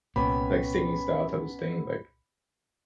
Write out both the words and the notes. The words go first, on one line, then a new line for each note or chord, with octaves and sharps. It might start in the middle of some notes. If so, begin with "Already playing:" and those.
like, singing style type of s thing, like
C2 A#2 B3 C#4 G4 B5